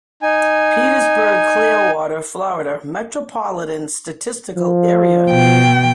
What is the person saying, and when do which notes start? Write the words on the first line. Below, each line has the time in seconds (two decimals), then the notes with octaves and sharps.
Petersburg-Clearwater, Florida Metropolitan Statistical Area.
0.22 D#4 G#5
4.56 F3
5.30 B2 G5